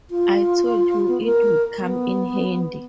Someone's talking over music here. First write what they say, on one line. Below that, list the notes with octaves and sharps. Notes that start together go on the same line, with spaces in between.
I told you it would come in handy.
F4
B3
A#4
B3